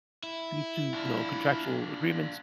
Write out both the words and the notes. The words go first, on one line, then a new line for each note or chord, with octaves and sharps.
due to, you know, contractual agreements
E4
D4 F4